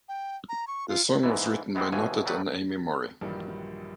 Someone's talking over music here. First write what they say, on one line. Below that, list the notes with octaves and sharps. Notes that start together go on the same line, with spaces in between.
The song was written by Nottet and Amy Morrey.
G5
A#5
C#6
F4
G#2 E3
E3 G#3 B3 C4
G#1 D#2 B2 E3 F3 G#5
F#3 G3 A3 B4
A#1 G2 D#3 E3 F#3 G3